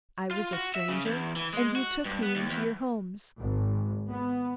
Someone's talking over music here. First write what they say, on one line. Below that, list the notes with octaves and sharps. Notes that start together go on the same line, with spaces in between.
I was a stranger, and you took me into your homes.
F4
F#4
E5
C#3
E2
E3
G#3
F#4
G2
B3
D#2
E2
G#1
B3